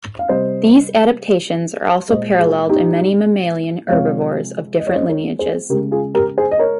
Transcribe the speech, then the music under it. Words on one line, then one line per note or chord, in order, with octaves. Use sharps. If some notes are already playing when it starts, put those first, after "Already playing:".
These adaptations are also paralleled in many living mammalian herbivores of different lineages.
F5
C3 G3 C5 D#5
A#2 G#3 C5 D#5
F4 G#4
D#4 G4
C3 F3 G#3 C#5 F5
D#5
C#5
C5 D#5
A#4 C#5
G#4 C5
C#3 G#3 G4 A#4
F4 G#4
G4 A#4
G#4 C5
D#5
A#4 C#5